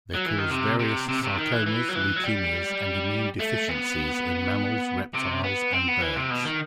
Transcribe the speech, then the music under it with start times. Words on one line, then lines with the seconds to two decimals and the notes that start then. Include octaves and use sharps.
They cause various sarcomas, leukemias and immune deficiencies in mammals, reptiles and birds.
0.15 F#3
0.26 E3
0.38 D#3
0.50 C3
0.79 C3
1.08 C3
1.23 C3
1.37 D#3
1.52 E3
1.66 E3
1.89 F#3
1.95 E3
2.16 F#3
2.24 G3
3.40 A3
3.69 B3
5.14 C3
5.44 B3
5.73 C4
5.88 B3
6.01 E3
6.16 C3
6.30 B2
6.45 D#3